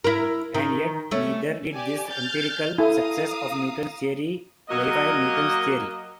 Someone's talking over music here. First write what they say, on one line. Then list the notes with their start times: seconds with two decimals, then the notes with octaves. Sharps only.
And yet neither did this empirical success of Newton's theory verify Newton's theory.
0.04 E4 A#4
0.55 D#3
1.11 A3 C#4
1.74 G4 D5 G#5
2.08 F6 G6 A6
2.78 E4 A4 F5 A#5 D#6
4.69 F#3 A#3 A#4 D#5